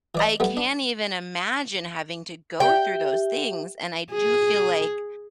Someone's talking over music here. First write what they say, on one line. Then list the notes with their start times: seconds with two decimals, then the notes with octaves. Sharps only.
I can't even imagine having to go through those things, and I do feel like
0.15 E3 D5 D#5
0.40 G3 A3 B3
0.57 D4
2.60 G4 E5 G5
4.13 G#4